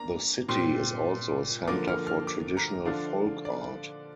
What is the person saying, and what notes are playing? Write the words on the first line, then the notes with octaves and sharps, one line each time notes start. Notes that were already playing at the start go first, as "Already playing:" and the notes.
The city is also a centre for traditional folk art.
Already playing: A#3 D4 A#5
A#2 G3 C4 C6
D3 F3 A#3 D6
F6
F6
D6
A#5
D3 F3 D4 F5
D5